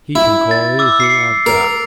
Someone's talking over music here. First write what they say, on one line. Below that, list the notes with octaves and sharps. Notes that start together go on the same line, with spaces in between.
He can call anything I've got.
E4
A6
D6 E6
C7 C#7
A#4